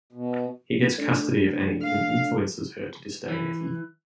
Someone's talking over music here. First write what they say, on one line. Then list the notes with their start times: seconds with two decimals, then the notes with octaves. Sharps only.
He gets custody of Annie and influences her to disdain Effi.
0.12 B2
0.98 A3 D4
1.82 F5
3.28 E3